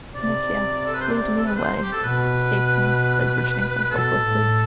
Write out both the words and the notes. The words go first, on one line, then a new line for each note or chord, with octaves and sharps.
"Mitya, lead me away ... take me," said Grushenka helplessly.
C3 D5
A4
B4
C5
D5
A4
B4
C5
G4
A4
B2 B4
B4
B2 A4
A2